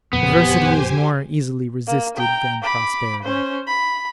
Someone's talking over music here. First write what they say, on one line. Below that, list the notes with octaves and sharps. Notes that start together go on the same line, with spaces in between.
Adversity is more easily resisted than prosperity.
F#1 F2 A#2 B3 G4 C5 G#5
A#3
G5 A#5
B5 D6
C#4 C5
B5